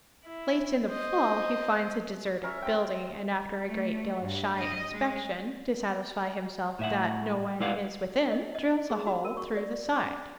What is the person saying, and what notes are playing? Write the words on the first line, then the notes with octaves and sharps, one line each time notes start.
Late in the fall he finds a deserted building, and after a great deal of shy inspection, to satisfy himself that no one is within, drills a hole through the side.
E4
C5 D#5
C#4 A#4 C#5 E5
C4 G5
A3
G2
D#5
G#3
A2 E5 F#5
G#3 E4 B4 D5 F5 F#5
D#5
D#5
G#4
F#4
A#4
C#6
D5
D6